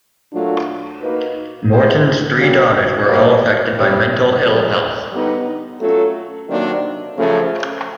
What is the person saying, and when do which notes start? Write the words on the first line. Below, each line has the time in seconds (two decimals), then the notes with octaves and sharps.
Morton's three daughters were all affected by mental ill-health.
0.32 A#2 F#3 A3 D4 F4
1.01 A#3 D#4 F#4 B4
1.69 G#3 B3 E4 G#4 C5
2.37 G3 A#3 C#4 F#4
3.06 E3 G3 A#3
3.74 G2 E3 G3 C4
4.43 F#2 D3 F3 G#3
5.11 D3 G3 B3 D#4
5.80 F#3 A3 C#4 F4 A4
6.48 C3 D#3 F#3 A#3 D4
7.16 F#2 C#3 F3 A3 C#4